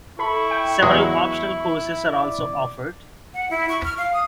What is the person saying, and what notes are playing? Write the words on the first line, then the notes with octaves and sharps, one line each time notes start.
Several optional courses are also offered.
E4 A4 B5 C#6
G5
E2 F#3 G#3
D5
F#5
E4
C#6
F6
F5
D#6